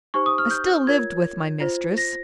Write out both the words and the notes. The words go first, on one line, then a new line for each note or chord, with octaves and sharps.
I still lived with my mistress.
D#4 G4 C5 C#6
D#6
F6
G6
F4 A#4 C#5 G#6
F4 C5
A#6